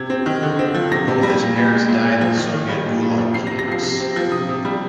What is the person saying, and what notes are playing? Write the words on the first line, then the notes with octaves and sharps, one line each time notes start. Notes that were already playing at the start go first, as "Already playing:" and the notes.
Both his parents died in Soviet Gulag camps.
Already playing: C3 G#6
C4
D#3
D3
C4
F3
C3 A#6
C3
G3
A#2
A#2
G#3
A#2
A#2
F3
D#3
D#3
G3
A#2
A#2
F3
C3 C7
A#6
C3
A#6
F3 C7
C3 A#6
C4
F3
C3 D#6
C3
G3